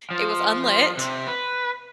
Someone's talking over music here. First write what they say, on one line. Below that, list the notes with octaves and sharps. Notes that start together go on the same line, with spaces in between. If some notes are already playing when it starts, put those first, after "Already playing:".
it was unlit,
F3
C3
B4